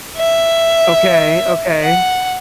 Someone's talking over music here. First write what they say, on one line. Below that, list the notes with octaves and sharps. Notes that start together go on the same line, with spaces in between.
Okay, okay.
E5
F#5